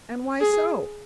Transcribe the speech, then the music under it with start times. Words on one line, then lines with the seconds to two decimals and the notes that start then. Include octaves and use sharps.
"And why so?"
0.40 G#4